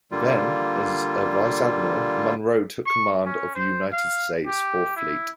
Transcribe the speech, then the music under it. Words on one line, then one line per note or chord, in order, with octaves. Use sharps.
Then, as a vice admiral, Munroe took command of the United States Fourth Fleet.
D3 G3 A#3 F4
C#6
C#4
C5
F5
G4
E4